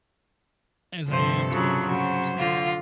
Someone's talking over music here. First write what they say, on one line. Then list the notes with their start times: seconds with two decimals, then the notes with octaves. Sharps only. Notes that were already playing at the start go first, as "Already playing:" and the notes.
as I am sometimes.
1.08 G2 C3 F3 A4 C5
1.51 C#3 F3 F#3
1.85 C#3 F#3 C5
2.37 D3 F4